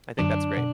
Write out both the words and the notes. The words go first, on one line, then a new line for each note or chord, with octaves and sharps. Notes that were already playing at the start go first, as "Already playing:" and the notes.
I think that's great.
F#2 D3 F#3 D4
B2